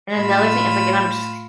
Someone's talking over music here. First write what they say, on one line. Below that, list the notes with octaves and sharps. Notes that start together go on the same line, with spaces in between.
And another thing is, like and I'm s
A2 F4 B5 E6